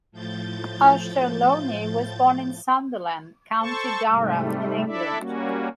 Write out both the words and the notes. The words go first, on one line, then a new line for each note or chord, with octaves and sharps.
Auchterlonie was born in Sunderland, County Durham in England.
A2 F3 G6 A6
A4 C5 A5 C#6
G#2 C3 G3 A3
D4 E4 A4 D5 E5
G3 A#3 C#4 F#4